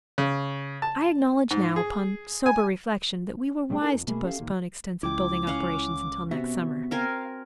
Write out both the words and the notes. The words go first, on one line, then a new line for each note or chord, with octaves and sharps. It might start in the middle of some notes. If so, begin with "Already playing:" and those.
I acknowledge now, upon sober reflection, that we were wise to postpone extensive building operations until next summer.
C#3
A5
G#2
G#4
G#5
B1 A2 G3 C4 G#4 G5
D4 D#4 G4 A4 A#4 G#5
F2
B2 A3 A#3 G#4 E5 B5
C#4 G4 A4 C#5 E5 F5
D2 A#2 D#3
C#2 E4 G5 D6
C#4 F5 F#5
C3 B3 F#4 E5
C4 A#4 F5 G#5